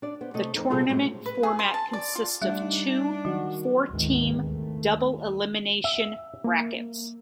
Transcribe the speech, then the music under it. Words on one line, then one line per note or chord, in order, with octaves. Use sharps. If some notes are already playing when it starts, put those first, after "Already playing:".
The tournament format consists of two four-team double-elimination brackets.
D4 D5
B3 C5
C3 A3 A4 D#5
F2 D#4 A4
C3 G3 B3 F4 G#4 A4
F#2 A2 G#3
B4
G#4
C6
A5
D5
F4
G3 A3 D4 E5
D#4
D#3 F#3 F#4
G#1 D2 D#3 E3 G#3
D#2 A3
E5
A#3